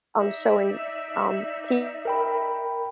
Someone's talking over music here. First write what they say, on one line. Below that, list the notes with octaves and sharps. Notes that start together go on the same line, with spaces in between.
um, showing, s um, TV
D#4 D5 E5
A#4 G5 B5